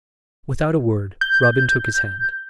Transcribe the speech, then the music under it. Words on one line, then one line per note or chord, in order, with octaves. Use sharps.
Without a word, Robin took his hand.
G6